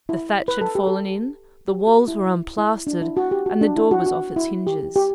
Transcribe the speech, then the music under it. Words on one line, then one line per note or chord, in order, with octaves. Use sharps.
The thatch had fallen in, the walls were unplastered, and the door was off its hinges.
E4
B4
A4
G4
A4
G4
F#4
E4
E4
E4
D4
E4
F#4
G4
F#4
D4
E4
F#4
F#4
E4
G4
G4